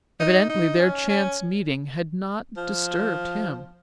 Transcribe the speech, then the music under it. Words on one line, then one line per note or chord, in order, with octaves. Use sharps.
Evidently their chance meeting had not disturbed him.
D#4
D#4
C#4
C#4
F3